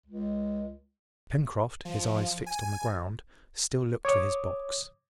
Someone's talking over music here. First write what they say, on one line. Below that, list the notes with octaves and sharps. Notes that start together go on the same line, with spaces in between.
Pencroft, his eyes fixed on the ground, still looked for his box.
C#2
F3
G#5
C#5 D6 D#6